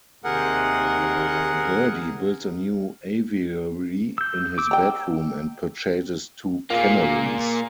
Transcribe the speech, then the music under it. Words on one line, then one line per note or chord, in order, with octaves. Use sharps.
Birdy builds a new aviary in his bedroom and purchases two canaries.
D#2 C3 G#4 A#4 F#5
E6 G6
D6 E6
G5 A#5
A#2 A#3 F4 G#4